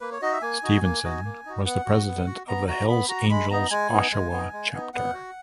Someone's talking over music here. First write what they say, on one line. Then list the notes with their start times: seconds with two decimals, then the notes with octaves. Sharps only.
Stephenson was the president of the Hells Angels Oshawa chapter.
0.01 A#3 B4
0.12 C#5
0.22 D#4 F#4 D#5
0.33 E5
0.42 A#3 G#5
0.63 D#4 F#4
0.83 A#3
1.04 D#4 F#4
1.24 A#3
1.45 D#4 F#4
1.65 B3 F#5
1.86 F#4
2.07 B3
2.26 F#4
2.48 B3 A#5
2.68 F#4 A#5
2.89 B3 B5
3.09 F#4 A#5
3.30 G#3 B5
3.50 B3 D#4 A#5
3.70 G#3 G#5
3.91 B3 D#4
4.12 G#3
4.32 B3
4.37 D#4
4.53 G#3
4.74 B3 D#4
4.94 B3 F#5
5.14 F#4